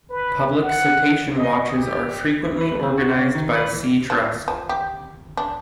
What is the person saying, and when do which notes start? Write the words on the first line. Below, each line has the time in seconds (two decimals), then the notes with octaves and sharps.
Public cetacean watches are frequently organized by Sea Trust.
0.10 B4
0.62 F#5
1.38 D#5
1.77 G4
2.61 B4
2.83 C4
2.98 F#4
3.18 C#3
3.35 D#3
3.55 B4
3.70 E3
4.10 F3
4.48 F3
4.69 G4
5.37 D4